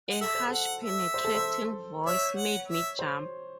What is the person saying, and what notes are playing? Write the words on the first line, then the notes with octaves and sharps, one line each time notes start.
A harsh penetrating voice made me jump.
F#5
A4 E5
C5
A4 F#5
E5
C5
A4
C5
C#5 E5
F#5
E5
C5